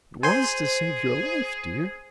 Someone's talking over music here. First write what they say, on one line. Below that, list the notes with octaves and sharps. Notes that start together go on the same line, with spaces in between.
"It was to save your life, dear."
G#4 C5 G#5 C6